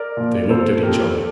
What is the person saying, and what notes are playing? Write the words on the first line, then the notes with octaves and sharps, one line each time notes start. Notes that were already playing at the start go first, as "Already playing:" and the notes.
They looked at each other.
Already playing: A#4 D5
A#2 F3
A#2 F3 A4 C5
A#2 F3 G4 A#4
A4